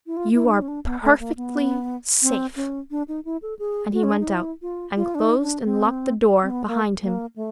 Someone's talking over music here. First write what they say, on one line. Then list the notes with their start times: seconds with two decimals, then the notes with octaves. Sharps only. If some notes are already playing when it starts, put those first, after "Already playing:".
"You are perfectly safe," and he went out, and closed and locked the door behind him.
0.07 E4
0.17 F4
0.34 E4
0.45 D4
0.51 D#4
0.62 C#4
0.68 D4
0.85 B3
1.02 A3
1.20 A#3
1.37 B3
2.22 C4
2.56 C#4
2.91 D4
3.08 D#4
3.25 E4
3.42 A4
3.59 G#4
3.93 F#4
4.04 C#4
4.12 D4
4.20 D#4
4.28 E4
4.62 F4
4.96 F4
5.15 D4
5.19 D#4
5.42 D4
5.65 C4
6.42 C4
6.50 B3
6.68 A#3
7.02 A#3
7.36 A3